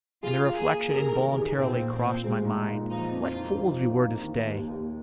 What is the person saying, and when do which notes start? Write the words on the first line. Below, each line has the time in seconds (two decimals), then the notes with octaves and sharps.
And the reflection involuntarily crossed my mind--what fools we were to stay!
0.23 F4 G#4
0.45 A#3
0.56 G#4
0.67 A#3
0.90 G#4 A#4
1.12 D#3
1.34 G#4
1.57 A#2 C4
1.78 A#2
1.90 C4
2.02 A#2
2.24 G#3
2.45 D#4
2.68 A#2
2.90 F3 D#4
3.12 F2
3.23 F4
3.34 D#4
3.57 F3
3.79 D#4
4.01 A#3
4.24 D#3
4.46 D#2
4.68 D#2